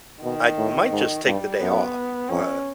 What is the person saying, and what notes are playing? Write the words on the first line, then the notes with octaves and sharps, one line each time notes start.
I might just take the day off, uh
B2 D#3
A2
G#2
G2 G3
F#2 B3
F2 C#4